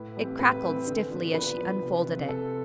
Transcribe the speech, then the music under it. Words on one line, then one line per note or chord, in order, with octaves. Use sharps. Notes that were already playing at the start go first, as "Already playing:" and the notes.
It crackled stiffly as she unfolded it.
Already playing: A2 B4
E3 G3 C4
A2 B4
E3 G3 C4
D3
F3 B3 D4 F4
D3 B4
F3 B3 D4 F4
C3
F3 C4 F4
C3 A4